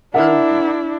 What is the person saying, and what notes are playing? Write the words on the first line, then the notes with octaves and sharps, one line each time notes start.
And, m
D4 E4 A#4 E5 F#5